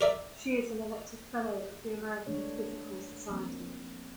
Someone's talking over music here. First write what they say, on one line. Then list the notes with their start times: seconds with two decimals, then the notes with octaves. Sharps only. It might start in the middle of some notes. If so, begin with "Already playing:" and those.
She is an elected fellow of the American Physical Society.
0.01 A#4 D5 E5
2.27 E3 G#3 A3 D4 C#5
3.29 F3 A#3 C4